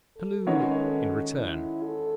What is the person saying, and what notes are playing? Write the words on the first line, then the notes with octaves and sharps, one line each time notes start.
Halloo!' in return.
A4
D#3 G#3 C#4 F#4 B4 C#5
A4
E4
A4